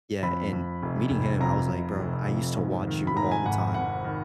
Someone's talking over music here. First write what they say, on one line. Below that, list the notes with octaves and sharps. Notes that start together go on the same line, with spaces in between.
yeah, and meeting him, I was like, "Bro, I used to watch you all the time."
F2 B5
F2
F1
F1
F2 A#5
F1
F1
F2
G#2
D#3
B5
G#2 A#5
G#5
G#1 F#5
G#1 F#5
D#3